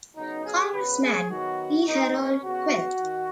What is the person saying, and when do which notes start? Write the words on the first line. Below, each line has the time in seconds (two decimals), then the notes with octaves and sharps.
Congressman E. Harold Cluett.
0.16 C#3 F#3 B3 D#4
0.45 G#4
0.73 C#3 F#3 B3 B4
1.00 G#4
1.29 D#3 F#3 B3 F#4
1.86 C#3 B3 D#4
2.15 C#4
2.43 C#3 B3 F#4
3.00 D#3